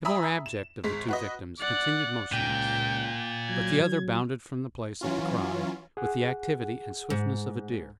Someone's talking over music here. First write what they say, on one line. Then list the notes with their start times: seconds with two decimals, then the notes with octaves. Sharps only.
The more abject of the two victims continued motionless; but the other bounded from the place at the cry, with the activity and swiftness of a deer.
0.05 E5 G#5 A#5 B5 D#6 E6
0.46 E7
0.84 G#1 G#3 B6
1.09 F#4 B4 D#5
1.59 D5 F#5
2.32 C#2 A#2 G5
3.49 F#3 G#6
5.01 E3 F#3 C#4 F4
5.97 G#4 F#5
7.10 G#2